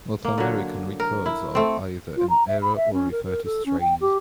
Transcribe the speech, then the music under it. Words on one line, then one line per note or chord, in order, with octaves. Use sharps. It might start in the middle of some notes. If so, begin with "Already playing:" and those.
North American records are either in error or refer to strays.
A#3
D3 F#3
A#4
E4
A3 C4
F4
A#5
E5
B5
E5
C#4
A#4
A#4
A4
C#4
G5
G4